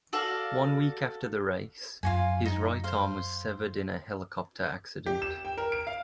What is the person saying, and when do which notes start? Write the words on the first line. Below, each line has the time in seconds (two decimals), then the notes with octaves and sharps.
One week after the race, his right arm was severed in a helicopter accident.
0.13 F#4 A4 D5 F5
2.03 F#2 F4 F#4 G#5
2.46 D#4
2.84 C5 F5
5.06 G4
5.22 E7
5.45 G5
5.58 A#4
5.72 D7
5.87 F5